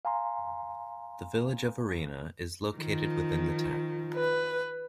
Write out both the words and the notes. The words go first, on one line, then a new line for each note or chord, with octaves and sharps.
The Village of Arena is located within the town.
F5 G#5 A#5 C6
D#3 F3
B4